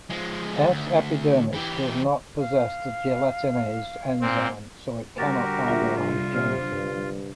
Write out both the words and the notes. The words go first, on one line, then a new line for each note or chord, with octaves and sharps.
"S. epidermidis" does not possess the gelatinase enzyme, so it cannot hydrolyze gelatin.
F3 G#3
D2
E3 G4
F5
A#2 C4
D3 G3 F#4 G4 A#4 A6
A#1 D4 F4 E5
C3 F4
C3 C5 F6
G2